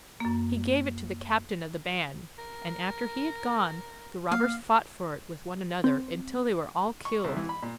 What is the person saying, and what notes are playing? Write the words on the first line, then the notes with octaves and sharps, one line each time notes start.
He gave it to the captain of the band, and after he had gone the robbers fought for it with one another until they were all killed.
F#2 A#3
A#4
A#3 F5
C4
C#6
C2
E3
B5
A#2